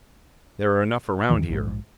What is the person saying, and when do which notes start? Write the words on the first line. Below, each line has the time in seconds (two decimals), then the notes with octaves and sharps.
"There are enough around here."
1.29 E2 G2 D#3 E3
1.49 A#1 G#2